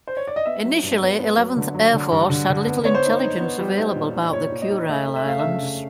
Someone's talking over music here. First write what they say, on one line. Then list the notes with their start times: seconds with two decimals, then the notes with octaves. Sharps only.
Initially Eleventh Air Force had little intelligence available about the Kurile Islands.
0.07 C5
0.17 C#5
0.27 D5
0.36 D#5
0.46 B3 E5
0.65 F#3
0.83 G2
1.02 B3
1.20 B3
1.38 F#3
1.56 D3
1.74 F#3
1.93 D3
2.12 G2
2.30 D3
2.48 D3
2.67 B3
2.85 B3 C#5
2.95 C5
3.04 D#4
3.23 D#4
3.40 B3
3.59 G3
3.77 D#4
3.96 A#2
4.14 D#4
4.33 A#2 C#5
4.52 A#2
4.62 D#5
4.70 D#4
4.89 A3 E5
5.08 A3
5.16 E5
5.25 A3 F5
5.40 C#3 E5
5.62 C#3